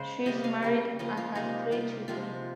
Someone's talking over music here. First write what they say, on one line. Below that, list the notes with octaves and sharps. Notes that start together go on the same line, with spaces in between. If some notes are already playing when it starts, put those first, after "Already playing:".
She is married and has three children.
Already playing: C#3 G#3 C5
C3 G3 A#3 D#5
F5
C#3 G3 A#3
C#3 F3 A#3 D#5
F4
C3 G3 A#3 D#4
C3 G3 A#3 F4
C3 F3 G#3 F4